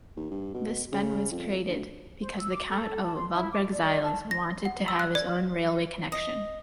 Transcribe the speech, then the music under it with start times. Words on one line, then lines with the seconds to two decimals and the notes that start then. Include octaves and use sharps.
This bend was created because the Count of Waldburg-Zeil’s wanted to have his own railway connection.
0.16 D#2
0.31 G2
0.54 B2
0.92 C#3
1.32 F2
1.68 D2
2.21 C5
2.37 E6
2.52 D6
2.69 A4
3.02 A5
3.15 C6
3.31 E4
3.52 D6
3.70 D5
3.82 D5
4.03 A5
4.31 A#6
4.65 F#5
4.88 E6
4.99 F#6
5.15 D5
6.12 D#5